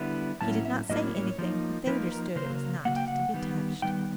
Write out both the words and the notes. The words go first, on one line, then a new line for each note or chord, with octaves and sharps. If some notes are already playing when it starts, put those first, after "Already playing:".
He did not say anything, but they understood it was not to be touched.
Already playing: D3 G3 B3 E4
A2 F#3 A#3 C#4 E4 A5
E5
A2 F#3 A#3 C#4 E4 D#5
C#5
F3 A#3 D#4
F3 A#3 D#4 B4
A#4
C#3 F#3 A#3 C5
C#3 F#3 A#3 F#5
G5
F#5
D#3 G3 B3
D#3 G3 B3 G5